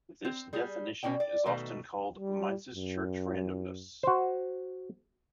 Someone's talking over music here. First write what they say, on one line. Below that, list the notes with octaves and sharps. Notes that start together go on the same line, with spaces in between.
This definition is often called "Mises-Church randomness".
C4
G3 G#4
B2 C#4 D#4 D5 G5
D5
B2 D#3 A3
G3
F#2
F#4 C5